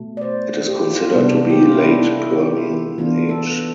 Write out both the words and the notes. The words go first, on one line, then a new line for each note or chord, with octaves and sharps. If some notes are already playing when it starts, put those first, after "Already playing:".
It is considered to be Late Permian in age.
Already playing: B2 A3
D5
C5
G4
F4
C3 G3 B3 D4
G4
F4
E4
D4
E4
A4
G4
F4
E4
E3 B3 D4 F4
A4